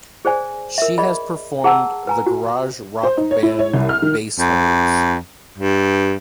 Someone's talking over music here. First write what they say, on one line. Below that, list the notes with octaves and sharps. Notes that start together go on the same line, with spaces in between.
She has performed the garage rock band Bassholes.
G#4 C5 D5 G#5
A#4 E5
G#4 D5 D#5 B5
G#4 F#5 A5 A#5 E6
B4 G#5 A#5
F#4
C5
D#4
C#5
E4
C#5
C2
F6
D#3
F2
G2